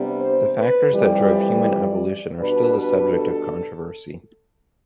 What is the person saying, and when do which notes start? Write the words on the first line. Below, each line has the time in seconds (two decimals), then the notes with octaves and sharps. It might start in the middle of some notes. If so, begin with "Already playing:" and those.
The factors that drove human evolution are still the subject of controversy.
Already playing: C3 G3 B3 D4
0.19 C5
0.56 B4
0.92 F2 E3 G3
1.66 D5
2.40 B2 G3 D4 B4
2.77 B4
3.14 A4